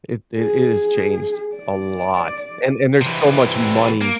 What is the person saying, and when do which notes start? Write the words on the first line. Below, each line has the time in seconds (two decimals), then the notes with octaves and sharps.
it it it has changed a lot, and and there's so much money
0.37 G#4
1.56 D5
3.02 C3 E3
4.01 A#3